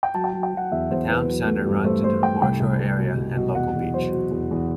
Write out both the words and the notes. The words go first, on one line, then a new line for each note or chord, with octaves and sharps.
The town centre runs into the foreshore area and local beach.
G5
F#3 A5
G5
F#3 A5
G5
F#3 F#5
E2 E5
E2 C5
E2 B4
F#3
A3
G2
A3 C5
A3 C5
A3 G5
C2 G5
C2
C2
B2
C2
B2
E2 F#5
E2
F#3 C5
F#3
E2
E2